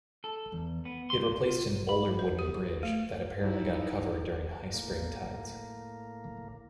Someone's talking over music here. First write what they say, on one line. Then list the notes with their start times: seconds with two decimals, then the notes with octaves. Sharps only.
It replaced an older wooden bridge that apparently got covered during high Spring tides.
0.24 A4
0.53 E2
0.85 B3
1.10 C6
1.47 F4
1.69 B1
1.89 B5
2.19 B4
2.39 G4
2.83 A3
3.39 D#4 E4
4.74 A2 A#3